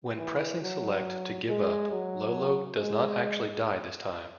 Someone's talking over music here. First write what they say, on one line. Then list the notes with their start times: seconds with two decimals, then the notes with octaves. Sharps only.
When pressing select to give up, Lolo does not actually die this time.
0.18 E3
0.62 F#3
1.49 G#3
1.92 F#3
2.80 G#3